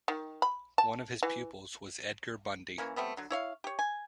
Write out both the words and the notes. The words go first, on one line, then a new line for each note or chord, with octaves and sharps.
One of his pupils was Edgar Bundy.
D#3
B5
A5
E3
E3 A#3 C#4
G3 A3 B3 C4
D3 F#3
E4 C#5 F5
G4 C#5
G#5